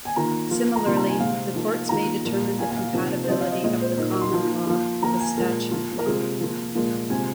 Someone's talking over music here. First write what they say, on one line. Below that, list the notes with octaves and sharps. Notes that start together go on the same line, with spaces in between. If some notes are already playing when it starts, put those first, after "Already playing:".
Similarly, the courts may determine the compatibility of the common law with statute law.
G#5
D#3 A#3 F4 A#5
F3 A#3 F4
A#5
C3 F3 A#3 D#4 C6
A#5
G#5
C3 G#3 C4 F5
F3 A#3 D#4
D#3 A#3 F4 A#5
A#2 F3 A#3 F4
A#2 A#3 F4 G#5
G#5
F5
C3 F3 A#3 D#4
C5
F3 C4 F4 D#5
F5
D#5
A#2 G#3 F4 D#5
C5
A#2 A#3 D#4
A#4
C6
F3 A#3 D#4
F3 A#3 F4
F3 A#3 F4 A#5
G#5
A#2 F3 G#3 A#4
F3 A#3 F4
A#4
C3 G#3 F4 G#4
F3 A#3 F4
A#2 F3 G#3 A#4
C3 G#3 F4 G#5